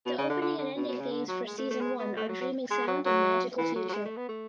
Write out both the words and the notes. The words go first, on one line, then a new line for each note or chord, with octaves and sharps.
The opening and ending themes for season one are "Dreaming Sound" and "Magical Future".
B2
C#3
D3
D3
D3
B2
B2
C#3
D3
F#3
G#3
A3
A3
G#3
B3
A3
F#3
F#3
G#3
F#3
F#3
E3
F#3
F#3
G#3
A3
B3
A3